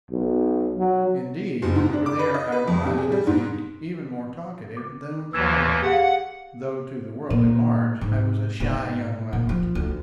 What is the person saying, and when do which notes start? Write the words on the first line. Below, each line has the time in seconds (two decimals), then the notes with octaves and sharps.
Indeed, over there I was, I think, even more talkative than with Parload, though to the world at large I was a shy young lout.
0.11 B1
0.77 F#3
1.62 F#1
1.76 G#2
1.93 D4
2.06 D6
2.19 B4
2.34 D#5
2.52 B4
2.68 F2
2.86 C3
2.98 G#4
3.12 G3
3.27 G#2
4.77 D6
5.33 D#2 E3 E6 G#6 E7
5.82 G4 G#4 F5 F#5
7.30 A#2
8.01 G#2
8.60 G#2 B2
9.33 A#2
9.49 F3
9.75 D2